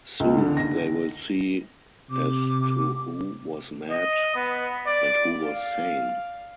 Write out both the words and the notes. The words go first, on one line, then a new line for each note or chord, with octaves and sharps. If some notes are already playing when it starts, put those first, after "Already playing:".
Soon they will see as to who was mad and who was sane.
C#2
D3
A#6
C3 D6
D#5
B3
D5
F5